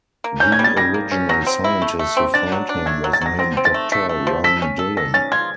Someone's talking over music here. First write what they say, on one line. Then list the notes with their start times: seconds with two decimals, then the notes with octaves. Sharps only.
The original scientist who found him was named Doctor Ron Dillon.
0.24 A#3
0.40 C#4 G6
0.52 G#6
0.59 G3
0.64 A6
0.77 G3 A#6
0.94 A#3
1.11 C#4
1.29 F#3 A#6
1.47 C4
1.64 E4
1.82 A3
1.99 A3
2.17 C4
2.34 D4 A6
2.52 F#3
2.69 D4
2.86 A3 G#6
3.04 F#3
3.13 A6
3.21 F#3 A#6
3.39 C4 A#6
3.57 C4
3.65 A6
3.74 A3
3.92 A3 B6
4.09 A3
4.27 F3
4.44 A4 B6
4.62 C#4
4.79 A4
4.97 A4 A#6
5.14 C#4 A6
5.32 F4 G#6